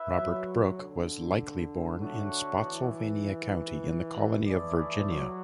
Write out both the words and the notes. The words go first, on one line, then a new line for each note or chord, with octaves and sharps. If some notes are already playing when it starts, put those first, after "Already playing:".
Robert Brooke was likely born in Spotsylvania County in the Colony of Virginia.
Already playing: E4 B4 E5
F#3
D3
A3 D4 F#4 C#5 F#5
E3
E3 A3 E4 G#4 D5
F#3